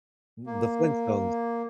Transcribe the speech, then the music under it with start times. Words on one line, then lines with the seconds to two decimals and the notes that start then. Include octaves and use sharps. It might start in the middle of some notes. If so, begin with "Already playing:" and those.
M The Flintstones.
0.46 A#3